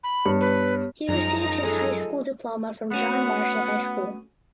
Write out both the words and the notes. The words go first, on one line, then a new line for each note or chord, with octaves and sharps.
He received his high school diploma from John Marshall High School.
B5
G2 B3 C#5
B4
F#2 F3 G#3 D#4 A#5
G#3 G#4 A4 D#5
A3 B3 C#4 F#4 F#5